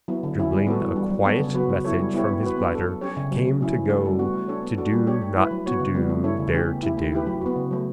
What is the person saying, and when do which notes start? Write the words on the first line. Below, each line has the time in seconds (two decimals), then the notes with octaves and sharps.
Dribbling a quiet message from his bladder came to go to do not to do there to do.
0.08 F#3 B3 E4
0.23 D3
0.38 F#3 C#4 E4
0.52 G3
0.67 B3 F#4 A4
0.81 E3
0.96 G3 D4
1.10 F#3
1.25 B3 D4 A4 C#5
1.40 C#3
1.54 F#3 B3 F#4 B4
1.70 F#3
1.85 B3 E4 A4 C#5
1.99 G3
2.14 B3 E4 G4 C#5
2.28 B3
2.43 F#4 B4
2.57 B3
2.72 D4 A4
2.86 F#3
3.01 C#4 G4 C#5
3.17 C#3
3.31 F#3 A3
3.45 C#3
3.61 F#3 C#4 E4
3.75 E3
3.89 A3 D4 A4
4.05 G3
4.19 B3 F#4
4.34 A3
4.48 D4 A4 C#5
4.63 B3
4.78 D4 F#4 A4
4.93 G3
5.07 D4 G4 C#5
5.22 A3
5.36 E4 B4
5.51 F#3
5.66 B3 F#4 C#5
5.80 C#3
5.94 G3 B3
6.09 A3
6.24 E4 A4 C#5
6.39 C#3
6.53 E3 A3 C#4 G4
6.69 B3
6.83 E4 G4
6.97 A3
7.12 E4 G4 B4
7.27 F#3
7.41 B3 F#4
7.56 C#3
7.71 F#3 A3